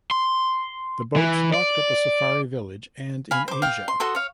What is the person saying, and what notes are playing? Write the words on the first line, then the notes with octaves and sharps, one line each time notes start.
The boats docked at the Safari Village and in Asia.
C6
E3
D5
F5 G#5 B5
C5 D6
F5 G5
C6
F#4 A4 C6 D#6
C#5 F5